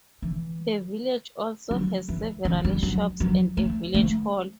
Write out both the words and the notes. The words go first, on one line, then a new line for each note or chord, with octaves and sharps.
The village also has several shops and a village hall.
E3
F#3
E3
E3
G3
F#3
F#3
A3
A3